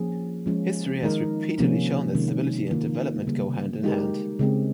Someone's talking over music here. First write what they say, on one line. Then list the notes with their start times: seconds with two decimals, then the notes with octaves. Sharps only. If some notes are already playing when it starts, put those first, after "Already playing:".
History has repeatedly shown that stability and development go hand in hand.
Already playing: F3 A#3 C#4 G#4
0.46 F3 G#3 C#4 F4
1.02 D#3 G#3 D#4 A#4
1.59 C3 F3 A#3 C#4
2.14 C3 D#3 G#3 C#4
2.71 D#3 A#3 F4 A#4
3.27 C#3 G3 A#3
3.84 G#3 D#4 G4 A#4
4.39 C#3 G#3 C4